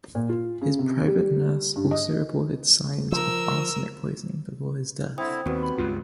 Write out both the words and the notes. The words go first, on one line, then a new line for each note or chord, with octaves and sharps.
His private nurse also reported signs of arsenic poisoning before his death.
A#2
F4
C#3
C3
G3
G2
D#5
F3 A#4 E6
D3 C4 E4 C5 G5 D#6
D#2 G3 B3 C4 F#4 B4
B5
C#2 G2 C#3 F4